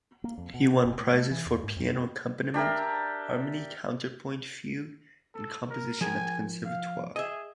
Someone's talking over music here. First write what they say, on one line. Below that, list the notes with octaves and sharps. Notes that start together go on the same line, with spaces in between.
He won prizes for piano accompaniment, harmony, counterpoint, fugue, and composition at the Conservatoire.
A#3
F2
B2
F1
A2
A3
E3
E2
G#2
F2
C4
D4 G4 A#4 E5
A4
A#4
F3 G#4 A#4 G#5
F5
G#4 D#5 E5